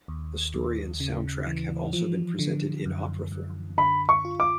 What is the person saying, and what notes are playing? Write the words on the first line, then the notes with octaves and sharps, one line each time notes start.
The story and soundtrack have also been presented in opera form.
D#2
D#2
C#3
E3
F3
D3
F#2
F#2
D3 B5
C#6
F4
D6